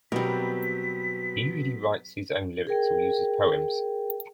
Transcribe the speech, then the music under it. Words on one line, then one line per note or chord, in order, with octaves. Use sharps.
He usually writes his own lyrics or uses poems.
B2 F#3 G3 B3 C4 A#4 B6
G#4 A#4 G5